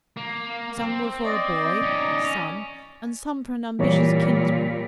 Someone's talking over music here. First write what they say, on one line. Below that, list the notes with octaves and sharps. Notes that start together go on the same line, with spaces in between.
Some were for a boy, his son, and some for an ambitious kinsman.
A#3
C4
D5 D#5
C#4 D#4
C#4
A#2 E3 G3 A#3 C#5